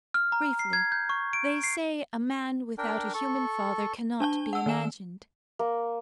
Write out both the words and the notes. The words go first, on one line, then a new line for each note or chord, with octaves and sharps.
Briefly, they say a man without a human father cannot be imagined.
F6
A#5
C7
G#6
G6
C#6
D7
C7
D4 A#4 G5
A4 C#6
D4 A5 G7
F#5 E6
D#3 A#3 G#5 E7
A#3